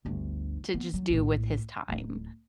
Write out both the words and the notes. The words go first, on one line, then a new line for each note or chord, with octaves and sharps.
to just do with his time.
G1 D2
B3
F#3
A#1 A2
D1 D#4